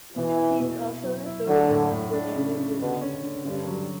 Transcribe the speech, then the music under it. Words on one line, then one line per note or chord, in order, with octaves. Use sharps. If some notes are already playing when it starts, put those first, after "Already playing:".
He is also an authority on Germanic religion.
B2 E3
E4
B2
E4
F#3
E4
D3 F#3
A2
A2
D4
C#3
C#3
B2 D3
C#4
D3
G2 D3
F#3